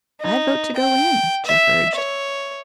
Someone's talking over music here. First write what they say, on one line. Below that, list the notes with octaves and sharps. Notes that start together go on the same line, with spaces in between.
"I vote to go in," Jeff urged.
D#4
G5
E5
C#5